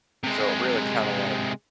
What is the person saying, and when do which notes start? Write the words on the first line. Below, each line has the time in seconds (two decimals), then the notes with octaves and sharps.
So it really kind of like,
0.23 C3 G#3